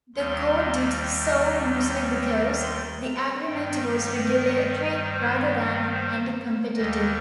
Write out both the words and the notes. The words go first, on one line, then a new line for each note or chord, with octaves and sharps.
The Court did so mostly because the agreement was regulatory rather than anticompetitive.
D#2 D#3 G3 C6
C6
G5
C6
A#5
G2 D#3 G3 G5
A#4
C5
C5
D#2 D#3 G3 D#5